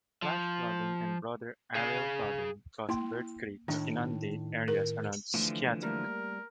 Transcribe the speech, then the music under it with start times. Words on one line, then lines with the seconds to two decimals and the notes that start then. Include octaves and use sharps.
Flash flooding and broader areal flooding caused Bird Creek to inundate areas around Skiatook.
0.22 F3
1.75 G#4 F5
2.89 A#3 E4 G5 C6
3.68 A2 D#3 D4
4.68 A#4
5.34 D3 E3 F3 A3
5.83 G3 A3 A#3 A#4